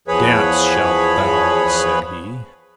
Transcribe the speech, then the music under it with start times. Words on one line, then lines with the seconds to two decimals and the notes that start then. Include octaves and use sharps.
"Dance shalt thou!" said he.
0.08 E2 F3 G#4 B4 C#5 B5